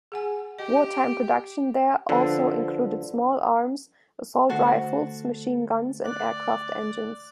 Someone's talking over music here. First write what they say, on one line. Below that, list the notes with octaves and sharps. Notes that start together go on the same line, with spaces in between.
War-time production there also included small arms, assault rifles, machine guns, and aircraft engines.
G#4 F#5 G#5
G4 D#5
D3 F3 A4 B4
D3 A3 F#4 A4 C5
D5 F#6